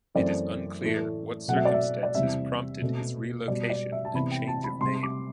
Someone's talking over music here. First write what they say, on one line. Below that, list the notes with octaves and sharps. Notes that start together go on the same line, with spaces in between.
It is unclear what circumstances prompted his relocation and change of name.
F#2 E3 A3 C4 D5
A2 E3 A3
B2 F#3 A3 C4 F#5
E5
D5
E5
D5
E2 C3 G3 C4 E5
B2 A3 C4
B2 G3 B3 D5
D5
E5
A5
C3 E3 B3 B5
G5
A5
B5
C3 G3 C4 C6
D6